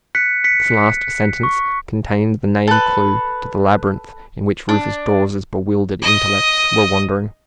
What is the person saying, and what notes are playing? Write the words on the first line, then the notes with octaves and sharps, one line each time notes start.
This last sentence contained the name-clue to the labyrinth in which Rufus Dawes's bewildered intellects were wandering.
F#6 B6 C#7
B6 C#7
C#6
A4 B4
D4
D#5 D#6